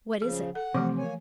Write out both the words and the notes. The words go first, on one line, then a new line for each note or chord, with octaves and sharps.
"What is it?"
C#3 F3 G#4
A4 F#5
C3 E3 F3 A3
A#3 C#5 G#5